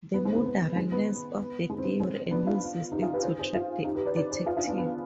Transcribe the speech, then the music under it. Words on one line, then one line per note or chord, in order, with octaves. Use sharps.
The murderer learns of the theory and uses it to trap the detective.
B3
G#3 C4
G#3 C4
B3
G#3
B3
G#3
C4
B3
G#3 C4
B3 D4
D4 F4
D#4 G4
F4 G#4
G4 B4
G#4 C5
G#4 C5
F4 G#4
D#4 G4
G4 B4
B4 D5
B4 D5
G#4 C5
F4 G#4
D4 F4
B3 D4
B3